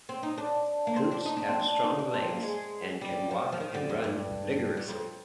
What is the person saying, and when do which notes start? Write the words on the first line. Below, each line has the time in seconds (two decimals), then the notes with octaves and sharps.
Coots have strong legs and can walk and run vigorously.
0.09 C4
0.23 D#4
0.38 D4
0.87 A#3
0.96 C4
1.11 D4
1.26 D#4
1.37 D4
1.48 C4
1.59 D4
1.84 D#4
1.99 D4
2.14 C4
2.28 A#3
2.43 G#3
3.01 G3
3.31 F3
3.52 F3
3.60 D#3
3.74 D3
3.89 F2
4.04 G2
4.77 G2
4.88 F2